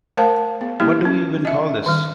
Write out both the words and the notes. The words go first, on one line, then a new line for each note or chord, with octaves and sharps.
What do we even call this?
A3 A#4 C5 F5 A5
B3
G3 A#3 E4 G4
C#4
D#5 E5
D#3 G3